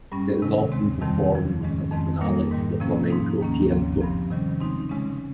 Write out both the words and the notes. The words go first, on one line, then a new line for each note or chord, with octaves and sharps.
It is often performed as a finale to a flamenco tiento.
G2 G3 C#4
C3 D#3 G#3
D#2 C#3 G#3 C4
F2 C3 D#3 G3 C4
D#2 C#3 F3
G#2 D#3 G#3 C#4
F2 D#3 G#3 C4
A#2 G3 A#3 D#4
G#2 D#3 G3
C3 F3 A#3 C#4
G#2 F3 A#3 D#4
D#2 D#3 A#3 C#4
D#2 C#3 F3 C4
G2 F3 C4
C3 D#3 G3 C#4
C#3 G#3 C4 D#4
C#3 G#3 C#4